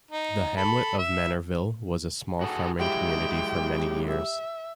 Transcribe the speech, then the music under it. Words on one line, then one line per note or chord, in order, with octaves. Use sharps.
The hamlet of Manorville was a small farming community for many years.
D#4
A4 B5
E5
F#4 G#4 A4
F#3 G#3 E4 G4 G5
E5